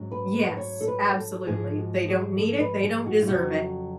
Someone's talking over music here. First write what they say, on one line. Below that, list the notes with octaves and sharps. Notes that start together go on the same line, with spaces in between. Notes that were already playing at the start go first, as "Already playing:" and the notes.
Yes, absolutely. They don't need it. They don't deserve it.
Already playing: G#2 F#3 C#4
B4
B4
C#5
A4
B4
A4
G#2 F3 G#3 G#4
F#4
G#4
A4
C#5
B4
G#4
F#4
F4
F2 C#3 F#3 F#4